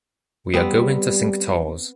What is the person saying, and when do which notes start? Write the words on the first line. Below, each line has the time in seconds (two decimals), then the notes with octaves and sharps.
We are going to Cinctorres.
0.54 G3 B3 C4